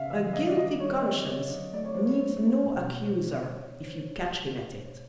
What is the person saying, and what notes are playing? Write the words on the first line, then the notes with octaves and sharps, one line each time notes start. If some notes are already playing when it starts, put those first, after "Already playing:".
A guilty conscience needs no accuser if you catch him at it.
Already playing: C#3 C#4 E5 F5
E3 E5
G3 D#5
D5
D#3 D#5
G3 C#5
C4 D5
D3 C#5
F#3
A3 D5
C#5
F#3 C5
C#5
A3
D4
B2